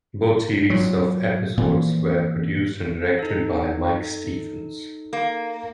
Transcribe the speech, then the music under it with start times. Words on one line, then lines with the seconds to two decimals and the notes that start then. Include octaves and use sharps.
Both series of episodes were produced and directed by Mike Stephens.
0.70 A#2 F#3
1.57 A#2 E3 F3
3.19 D#4 A4
5.13 A#3